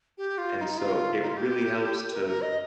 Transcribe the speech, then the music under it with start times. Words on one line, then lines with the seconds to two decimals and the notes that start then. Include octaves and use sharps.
and so it really helps to
0.18 G4
0.38 F4
0.57 F4
0.61 D#4
0.78 F4
1.22 D#4
1.29 F4
1.37 G4
2.12 A#4
2.27 A#4
2.42 D#5